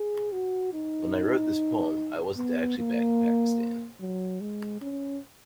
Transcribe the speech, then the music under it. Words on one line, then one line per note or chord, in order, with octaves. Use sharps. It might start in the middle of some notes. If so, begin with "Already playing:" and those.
When I wrote this poem I wasn't actually back in Pakistan.
Already playing: G#4
F#4
D#4
B3
A#3
F#3
G#3
C#4